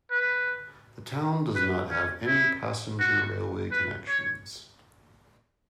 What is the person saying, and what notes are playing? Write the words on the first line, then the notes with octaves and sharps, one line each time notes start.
The town does not have any passenger railway connections.
B4
B4
C#4
E4
F#4
B4
C#5